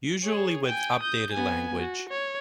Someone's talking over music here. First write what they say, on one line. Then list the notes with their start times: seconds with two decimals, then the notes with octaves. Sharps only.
Usually with updated language.
0.23 G#4 C#5
0.66 G5 G#5
0.99 D#6 G6
1.32 B3 G#5
1.80 F#4
2.09 C#5